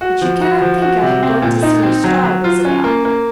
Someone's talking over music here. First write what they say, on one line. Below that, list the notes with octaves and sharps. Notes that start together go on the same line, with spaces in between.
But you cannot think I am going to see you starve, Isabel.
F#4
F3
F#4
F3
F#4
C3
C4
A#2
D#4
C4
F#3
F#3
F4
C#4
A#3
A#3